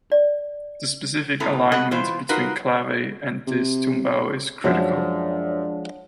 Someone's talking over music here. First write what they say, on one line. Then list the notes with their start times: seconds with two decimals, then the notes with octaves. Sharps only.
The specific alignment between clave and this tumbao is critical.
0.12 D5
1.40 A2 E3 B3 C4 A4 A#5
1.72 B2 B3 A4 D#5 F#5
1.91 B2 E3 F4 C5
2.29 D#4 F4 F#4 A#4 B4
3.47 C3
4.64 F#2 F3 G#3 D4 C5 C#5 F#5 A5